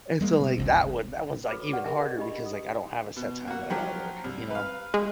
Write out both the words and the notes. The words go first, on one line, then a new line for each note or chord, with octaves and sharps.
and so, like, that one that one's, like, even harder because, like, I don't have a set time that I gotta work, you know?
G3 G#3 A#3
B2
G1 C#2 C3
F#4 A4 B4 C#5 B5 D6
G4 B4 D5 F#5
G#4 A#4 D#5 E5
D4 G4 D#5 B5
D#6
B2
A#3 F#4
F3 F#3 G4
C2
B4 F5
G#3